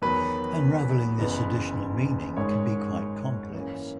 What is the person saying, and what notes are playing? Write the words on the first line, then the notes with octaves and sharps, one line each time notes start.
Unraveling this additional meaning can become quite complex.
E2 D#3 F#3 B3 B4
F#1 F#2 E3 B3
G#2 D#3 G#3 C#5
F#2 E3 A#3 C#4